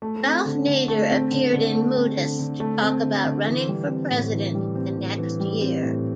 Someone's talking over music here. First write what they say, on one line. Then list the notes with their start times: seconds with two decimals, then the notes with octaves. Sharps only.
Ralph Nader appeared in Moodus to talk about running for president the next year.
0.02 A3
0.25 C4
0.45 D3
0.67 D3
0.88 A3
1.10 C4
1.31 D3
1.53 D3
1.75 A3
1.96 C4
2.17 D3
2.39 D3
2.60 A3
2.82 C4
3.04 D3
3.25 D3
3.47 E3
3.69 G3
3.89 C4
4.11 A2
4.33 E3
4.55 G3
4.75 C4
4.97 A2
5.18 E3
5.40 G3
5.61 C4
5.83 A2